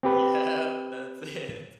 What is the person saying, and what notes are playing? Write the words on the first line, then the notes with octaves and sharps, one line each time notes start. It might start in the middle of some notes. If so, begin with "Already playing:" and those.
Yep, that's it.
C4 G4 B4